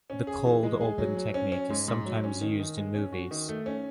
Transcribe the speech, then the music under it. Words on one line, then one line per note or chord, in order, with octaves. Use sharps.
The cold open technique is sometimes used in movies.
C#4
G#4
E3
G#3
G#4
F#3
F#3
C#4
C#4
G#2
G#2
F#3
C#4
D#3
D#3
G#3
C#4
F#4
D#3
A3
C#4